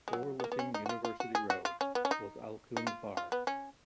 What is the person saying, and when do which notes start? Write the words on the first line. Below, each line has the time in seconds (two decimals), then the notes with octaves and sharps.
Overlooking University Road was Alcuin's bar.
0.08 G#3
0.13 F#3
0.40 B3
0.44 A#3
0.52 B3
0.59 C#4
0.74 D#4
0.86 F#4
0.89 F4
1.05 F4
1.20 F#4
1.35 G#4
1.50 F#4
1.65 F4
1.81 C#4
1.95 B3
2.05 C#4
2.11 D#4
2.77 D#4
2.87 F4
3.17 F4
3.32 B3
3.47 C#4